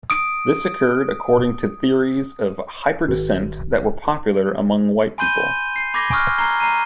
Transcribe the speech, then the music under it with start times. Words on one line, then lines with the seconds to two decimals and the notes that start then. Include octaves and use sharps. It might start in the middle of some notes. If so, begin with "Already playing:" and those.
This occurred according to theories of hyperdescent that were popular among white people.
0.10 D#6 D7
3.08 G#1
5.18 G#5 B5 C6 G6 D#7 G7
5.76 C7
5.94 B5 D6 G#6 A#6 B6 G7
6.11 G#5 C#6 D#6 F6 F#6
6.38 A#5 G#6 C7 G7
6.60 A#5 C7 D#7